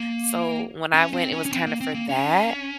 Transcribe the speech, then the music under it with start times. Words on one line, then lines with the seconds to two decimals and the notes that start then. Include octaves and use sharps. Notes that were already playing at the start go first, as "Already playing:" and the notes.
So when I went, it was kinda for that.
Already playing: A#3
0.94 C#4
1.13 C4
1.32 C#4
1.46 C#4
1.52 C4
1.66 A#3
1.81 C4
1.94 A#3
2.09 C#4